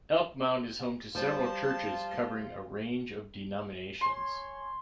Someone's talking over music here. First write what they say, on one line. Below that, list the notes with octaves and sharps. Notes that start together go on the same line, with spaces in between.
Elk Mound is home to several churches covering a range of denominations.
F3 G3 F4 A5
C#5 G#5 C6